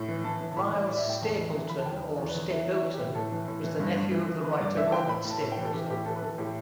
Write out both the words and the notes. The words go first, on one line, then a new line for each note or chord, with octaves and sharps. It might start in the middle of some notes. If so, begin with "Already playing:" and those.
Miles Stapleton or Stapylton was the nephew of the writer Robert Stapylton.
Already playing: A2
E3
E3 A5
E3
A5
A2 B5
A2
A2 D5
E5
A2 G5
E2 A5
E3
E3
E2 B5
A5
E2 G5
E3
D5
E2
B4
E2
E3 E4
E3
E4
E3
G4
A2
A2 A4
E3
A2
E3
G2
G2
E3
E3
E3 B4
G2 D5
E3 E5
A5
E3 G5
A2 B5
A2 A5
A2
G5
E3
A4
E3 G4
A2 G4
E3 A4
B4
E3 A4
A2 G4